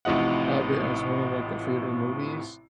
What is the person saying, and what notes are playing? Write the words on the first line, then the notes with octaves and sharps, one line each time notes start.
have it as one of, like, their favorite movies,
A1 A2 C3 F3 D#4 F#5